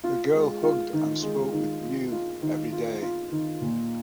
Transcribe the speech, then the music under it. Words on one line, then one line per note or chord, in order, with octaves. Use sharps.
The girl hugged and spoke with Mew every day.
F4
G#3
F4
D#3
G#3
D#3
F4
F4
D#3
F4
F4
D#3
A#2